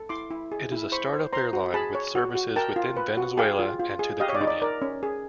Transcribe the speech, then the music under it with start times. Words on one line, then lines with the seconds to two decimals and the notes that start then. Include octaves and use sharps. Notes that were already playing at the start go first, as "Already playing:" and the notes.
It is a start-up airline with services within Venezuela and to the Caribbean.
Already playing: A4
0.09 E4 C6 D6
0.31 E4
0.52 G#4
0.72 E4
0.92 C5 B5 C#6
1.13 C5
1.33 C5 A#5 C6
1.53 F#4
1.74 G#4 A5 B5
1.95 C#5
2.15 F#4
2.35 F#4
2.56 A#4 G5 A5
2.76 F4
2.97 B4
3.17 F#4
3.38 G#4 F5 G5
3.59 F4
3.80 F4
3.99 G#4
4.20 G4 D#5 F5
4.29 C#5
4.35 D5
4.41 D#4
4.47 D5
4.62 A#4 D5
4.82 C#4
5.03 G#4